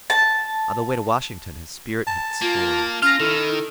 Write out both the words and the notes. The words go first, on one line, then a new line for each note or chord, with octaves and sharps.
On the way to Washington his spirit had soared.
A5
A5
A#3 F4
C#4 F4 F6 A#6
D#3 E4 A4